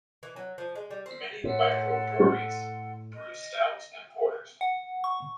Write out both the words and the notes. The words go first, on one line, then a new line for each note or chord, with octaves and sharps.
Many microbreweries brew stouts and porters.
E3
F#3
F3
G#3
G3
C4
A2 A4 F#5 C6
D#5
F#5
C#6